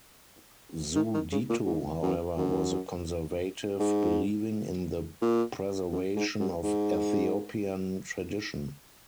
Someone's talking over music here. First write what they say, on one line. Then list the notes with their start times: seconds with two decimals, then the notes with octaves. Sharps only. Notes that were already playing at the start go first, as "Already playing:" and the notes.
Zewditu, however, was a conservative, believing in the preservation of Ethiopian tradition.
0.95 D#3
1.14 D#3
1.32 C#3
1.49 A#2
1.66 G#2
2.03 F#2
2.37 F#2
3.79 G#2
5.22 A#2
5.92 F#2
6.16 G#2
6.40 F#2
6.64 G#2